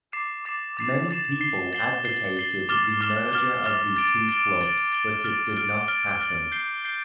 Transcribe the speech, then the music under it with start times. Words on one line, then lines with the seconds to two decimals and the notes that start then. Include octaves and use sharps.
Many people advocated the merger of the two clubs but it did not happen.
0.13 D6 A6 C7 E7
0.45 D6 A6 C7 E7
0.77 D6 A6 C7 E7
1.09 D6 A6 C7 E7
1.41 A6 C7 G7
1.73 A6 C7 G7
2.05 A6 C7 G7
2.37 A6 C7 G7
2.69 D6 F6 A6 E7 G7
3.01 D6 F6 A6 E7 G7
3.33 D6 F6 A6 E7 G7
3.64 D6 F6 A6 E7 G7
3.97 A6 D7 G7
4.29 A6 D7 G7
4.61 A6 D7 G7
4.92 A6 D7 G7
5.24 F6 A6 D7 G7
5.57 F6 A6 D7 G7
5.88 F6 A6 D7 G7
6.20 F6 A6 D7 G7
6.52 G6 C7 G7
6.84 G6 C7 G7